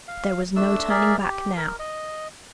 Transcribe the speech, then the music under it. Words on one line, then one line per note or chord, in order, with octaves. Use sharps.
There was no turning back now!
F5
A3 D4 E6
G#4 A#4 D5 E5
G4
A#4
D#5